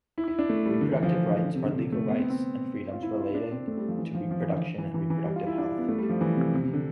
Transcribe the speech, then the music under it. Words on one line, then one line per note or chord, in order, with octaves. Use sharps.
Reproductive rights are legal rights and freedoms relating to reproduction and reproductive health.
E4
E4
D4
A3
G3
D3
E3
F3
D3
D3
C3
D3
C3
A3
B3
C4
C4
F4
E4
F4
E4
D4
C4
A3
G3
F3
E3
F3
F3
E3
D3
E3
E3
E3
G3
F4
E4
D4
B3
A3
G3
F3
E3
C3
C3
C3
D3